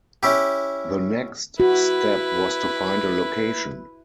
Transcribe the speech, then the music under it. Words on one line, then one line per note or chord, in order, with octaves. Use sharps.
The next step was to find a location.
C#4 E4 G4
E4 F#4 B4